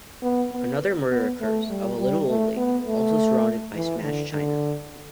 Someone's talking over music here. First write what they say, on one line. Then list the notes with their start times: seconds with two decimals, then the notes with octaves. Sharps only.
Another murder occurs, of a little old lady, also surrounded by smashed china.
0.22 B3
0.52 B3
1.11 B3
1.41 A3
1.69 G3
1.98 G3
2.28 A3
2.57 B3
2.87 A3
3.75 E3
4.03 D3
4.33 D3